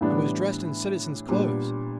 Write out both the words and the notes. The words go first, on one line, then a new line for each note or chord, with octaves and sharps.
I was dressed in citizen's clothes.
A2 E3 G3 B3 D4
A#2 G3 B3 D4 G4